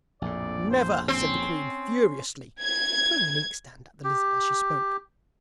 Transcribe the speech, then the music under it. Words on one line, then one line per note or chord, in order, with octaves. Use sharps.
'Never!' said the Queen furiously, throwing an inkstand at the Lizard as she spoke.
A#1 F2 A2 D5
C5
C4 C#4
G#6
G4